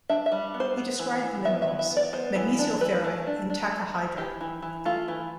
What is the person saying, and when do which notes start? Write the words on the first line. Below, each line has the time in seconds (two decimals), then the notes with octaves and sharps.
He described the minerals, magnesioferrite and tachyhydrite.
0.09 D4 E5
0.26 E5
0.32 G3
0.54 B3
0.60 C5
0.77 B3
0.99 E3
1.23 E3
1.45 B3 E5
1.62 E5
1.68 E3
1.79 E5
1.90 B3
1.97 D5
2.13 B3 C5
2.36 E3
2.59 D4
2.81 E3 B4
3.04 A3
3.27 D4
3.50 D4
3.72 A3
3.95 A3
4.17 E3 G4
4.41 E3
4.62 E3
4.85 A3 F4
5.08 E3